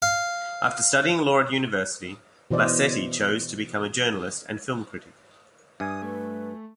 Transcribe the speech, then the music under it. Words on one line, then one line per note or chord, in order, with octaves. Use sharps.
After studying law at university, Blasetti chose to become a journalist and film critic.
F5
B2 E3 C5 D5 D#5
G2 E5 G#5 D#6 G#6
A3 B4